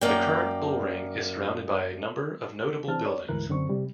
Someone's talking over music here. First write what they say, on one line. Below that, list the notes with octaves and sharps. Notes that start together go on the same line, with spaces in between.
The current Bull Ring is surrounded by a number of notable buildings.
F#2 A#3 D5 G5
E3 C4 D4 A5 F6
C#5 D5
D2 G#2 E3 E4 A#4 F#6
F#2 D3 C4 C#6
C3 G3